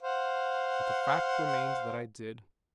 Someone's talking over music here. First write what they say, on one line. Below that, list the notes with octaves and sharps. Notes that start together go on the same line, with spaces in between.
But the fact remains that I did.
C5 F5 F#5